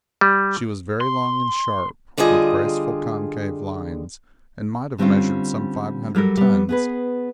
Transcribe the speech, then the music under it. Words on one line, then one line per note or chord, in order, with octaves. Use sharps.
She was very long and sharp, with graceful concave lines, and might have measured some five hundred tons.
G3
C6
D3 G3 F4 G#4 D#5
D3 G3 C4 C#4 F4
F#3 G3 A4 A#4
G3 B3
B3 G#4 B4